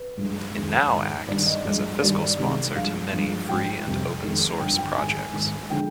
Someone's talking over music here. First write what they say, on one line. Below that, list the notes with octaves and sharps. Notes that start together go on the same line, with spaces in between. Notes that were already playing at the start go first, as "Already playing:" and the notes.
It now acts as a fiscal sponsor to many free and open source projects.
Already playing: B4
G2 F3 G#3
F2 D#3 G#3
G#2 D#3 G#3
G2 D#3 G3 D5
D#5
G2 F3 G#3 D#5
G2 D#3 G3 D5
C3 D#3 G#3
G2 F3 G#3 F5
G2 F3 G#3
G#2 F3 G#3 G5
F2 C3 G3
F2 D#3 G#3
G2 D3 F3 G5
G5
G#2 D#3 G#3 G#5
G#2 D#3 G#3
D3 F3 G#3 G5